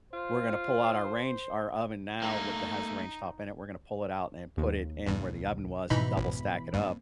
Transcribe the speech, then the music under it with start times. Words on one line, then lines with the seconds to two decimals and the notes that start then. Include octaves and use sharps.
we're gonna pull out our range our oven now with that has range top in it, we're gonna pull it out and put it in where the oven was and double stack it up
0.13 F4 C5
2.22 A3 A#3 D#4
4.57 D#2
5.06 B1 E2 G2 E4
5.90 F2 G#2 B2 E3 D#4 B5
6.17 A1
6.74 G2 A#3 C4